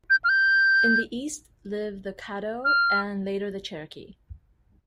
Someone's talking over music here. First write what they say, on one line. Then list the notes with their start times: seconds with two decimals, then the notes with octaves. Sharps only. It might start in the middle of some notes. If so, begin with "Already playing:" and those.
In the East lived the Caddo and later the Cherokee.
0.10 G6
0.24 F6
0.29 G6
2.65 F6